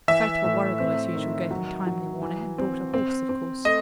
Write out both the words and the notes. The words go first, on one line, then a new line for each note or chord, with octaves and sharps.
'The faithful Warrigal, as usual, gave me timely warning, and brought a horse, of course.
E3 E5
A2
C4
D#3
F#3
F#3
E3
C4
C4
C4
A3 D#5